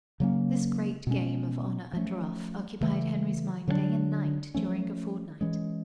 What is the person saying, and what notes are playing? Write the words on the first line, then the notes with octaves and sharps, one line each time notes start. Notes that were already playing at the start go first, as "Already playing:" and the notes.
This great game of "honor and ruff" occupied Henry's mind day and night during a fortnight.
C#3 F#3 A#3 C#4
B2 G#3 C#4
F3 A3 C#4
C#3 E3 A3
D3 F#3 A#3 D4
F3 A3 C#4
E3 G#3 C#4